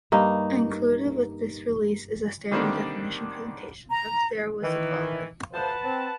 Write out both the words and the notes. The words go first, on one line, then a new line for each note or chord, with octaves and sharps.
Included with this release is a standard definition presentation of "There Was a Father".
G2 A#3 D#4
D3 D#3 G3 A#3 C4 D4
A#5
D#3 E3
D2 F3 B4 C5 F#5 A5
C4